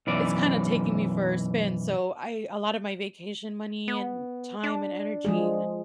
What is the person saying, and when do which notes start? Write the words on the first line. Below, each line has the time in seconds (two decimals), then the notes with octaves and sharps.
it's kinda taking me for a spin, so I a lot of my vacation money, and time, and energy
0.07 B1 F#2 E3 D5
3.88 B3
4.64 D4
5.25 F3 G#3 G#4